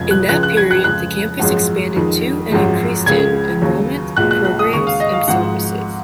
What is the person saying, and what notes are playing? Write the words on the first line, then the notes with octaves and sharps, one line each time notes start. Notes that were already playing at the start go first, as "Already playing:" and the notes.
In that period the campus expanded to and increased in enrollment, programs, and services.
Already playing: F1 F2 C#3 G#3 G#6
F#6
C#2 C#3 F3 G#3 F#6
F#6
G#6
F#6
F2 C#3 F3 G#3 F#6
G#1 F#2 F3 G#3
F2 D#3 G#3
G#1 F#2 F3 G#3
C#2 C#3 G#3 G#6
D#2 C#3 F#3
B1 A#2 G#3 F#6
F#6
F#6
D#6
D#2 C#3 G#3 C#6
F5
D#5
F5
G#1 G#2 F3 G#3 F#5